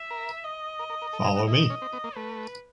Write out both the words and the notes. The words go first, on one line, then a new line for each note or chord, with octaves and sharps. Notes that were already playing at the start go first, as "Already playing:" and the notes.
Follow me.
Already playing: E5
A#4
D#5
A#4
A#4
A#4
A4
G#4
F#4
E4 D#5
D#4
C#4
C4
B3
A#3
A3 B4